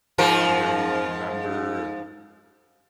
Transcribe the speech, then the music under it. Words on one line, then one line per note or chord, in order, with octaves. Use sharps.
you remember,
G#2 F3 A#4